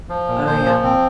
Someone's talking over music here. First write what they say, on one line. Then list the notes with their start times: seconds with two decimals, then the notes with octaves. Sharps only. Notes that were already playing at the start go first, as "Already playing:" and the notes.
Oh, yeah.
0.09 F3
0.28 A#2
0.46 A#2 C5
0.66 F3
0.84 C4